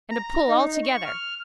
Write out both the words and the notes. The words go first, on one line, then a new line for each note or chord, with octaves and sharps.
And a pull all together.
A#5
D#4
C#6
F6